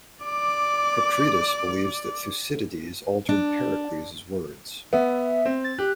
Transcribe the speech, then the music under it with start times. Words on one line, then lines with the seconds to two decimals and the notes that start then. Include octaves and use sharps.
Kakridis believes that Thucydides altered Pericles words.
0.24 D5 D6
3.29 D4
4.93 B3 E5
5.45 C4
5.64 A6
5.79 G4 F#6